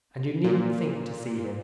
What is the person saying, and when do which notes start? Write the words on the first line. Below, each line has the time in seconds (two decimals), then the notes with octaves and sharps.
And you needn't think to see him.
0.44 A#2